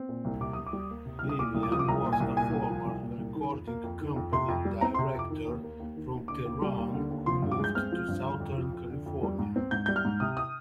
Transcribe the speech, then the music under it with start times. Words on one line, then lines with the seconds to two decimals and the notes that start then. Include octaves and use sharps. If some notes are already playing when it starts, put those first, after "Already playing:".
Bibiyan was a former recording company director from Tehran who moved to Southern California.
Already playing: C4
0.09 A#2
0.25 C2
0.41 C3 D6
0.53 C2 D#6
0.66 D6
0.73 G3
0.90 A#3
1.06 C3
1.19 C2 F6
1.29 D#6
1.39 A#2 D6
1.55 C2
1.63 D6
1.71 F3 D#6
1.79 D6
1.88 C2 A#5
2.04 A#2
2.13 G#5
2.20 C2
2.37 A#2 G#5
2.53 C2
2.70 F3
2.85 C2
3.02 A#2
3.18 C2
3.35 D#3
3.52 F2
3.67 A#3
3.84 F2
4.01 D#3
4.16 F2
4.32 C3 C6
4.48 F2
4.65 G3
4.81 C4 A#5
4.94 C6
4.98 C3
5.15 F2 D6
5.30 D#3
5.47 D#2
5.64 A#3
5.80 D#2
5.96 D#3
6.13 D#2
6.28 D3 D6
6.45 D#2
6.62 G3
6.77 D#2
6.94 D3
7.10 D#2
7.26 F3 C6
7.42 G2
7.52 D6
7.60 G#3 G6
7.75 C4 F6
7.92 F3
8.08 G2
8.25 D3
8.40 F2
8.57 F3
8.73 F2
8.91 D3
9.06 F2
9.23 G3
9.39 G#2
9.56 C4
9.71 G#2 G6
9.86 G3 G6
9.96 F6
10.05 G#2
10.20 C3 D#6
10.37 D#6